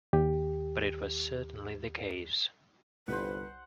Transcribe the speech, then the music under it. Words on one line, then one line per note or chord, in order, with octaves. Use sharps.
But it was certainly the case.
D#2 G4
G1 C2 B4 C5 F#5